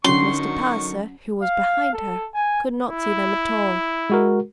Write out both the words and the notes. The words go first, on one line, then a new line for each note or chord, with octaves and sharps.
Mr. Palliser, who was behind her, could not see them at all.
D3 D#3 F#3 C#4 F#4 C#5 C6 C#6
F5
A4
G#5
E4
G#3 F#4 A#4